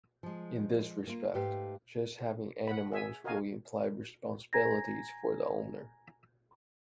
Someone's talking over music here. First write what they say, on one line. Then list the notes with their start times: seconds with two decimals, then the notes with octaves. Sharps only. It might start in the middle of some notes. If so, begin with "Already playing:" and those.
In this respect, just having animals will imply responsibilities for the owner.
0.23 F3 G#3
1.07 A#3 F4
1.34 G#2 A3 G4 B4 F5 G5
2.67 F#5 B5
2.92 G#4 E5 G#5
3.24 F#4 A#4 D#5 F5 G#5
4.53 G#5 A#5 G#6 A#6